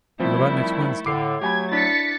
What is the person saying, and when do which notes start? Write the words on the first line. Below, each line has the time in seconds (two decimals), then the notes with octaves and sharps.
"What about next Wednesday?"
0.20 D#3 F3 G3 A3 C4 E4
1.06 A2 D3 D6 C7
1.41 F#3 A3 G4 G#5 B5 G#6
1.71 D4 E4 A6 B6 C#7